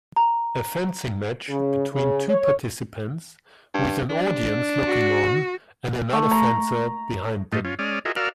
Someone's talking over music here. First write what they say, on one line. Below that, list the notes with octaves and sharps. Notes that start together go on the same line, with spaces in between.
A fencing match between two participants with an audience looking on and another fencer behind them.
A#5
C#3
C#3
C#5
G2
D4
F#4
A3
A#5
A2 G3 A3 F4 D#5
C#4 F4
G#3 C#4 D5 D#6 F6
F4 F#4 G#4 A#4 D#5 E5
F#4 A#4 D5 F5 E6 F6